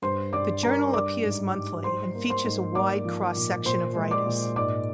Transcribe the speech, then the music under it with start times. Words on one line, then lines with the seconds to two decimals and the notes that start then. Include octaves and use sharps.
The journal appears monthly, and features a wide cross-section of writers.
0.02 G2 C5 C6
0.33 G2 D5 D6
0.63 G2 A#4 A#5
0.93 G3 D5 D6
1.24 G#2
1.54 G3
1.84 G3 C5 C6
2.15 A#3
2.30 C5 C6
2.44 G#2
2.75 A#3 D5 D6
3.05 F3
3.36 A#2
3.65 A#2 C5 C6
3.95 G#3
4.11 D5 D6
4.26 A#2
4.56 G#2 D5 D6